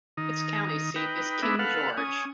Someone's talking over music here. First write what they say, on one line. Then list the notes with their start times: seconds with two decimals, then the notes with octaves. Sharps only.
Its county seat is King George.
0.17 D#3 D#4
0.96 D#4 B4 G5
1.43 B3 D4 D#4 G#4 B4 E5
1.59 A4 B4 F5 F#5
1.97 C#4 G#5 D#6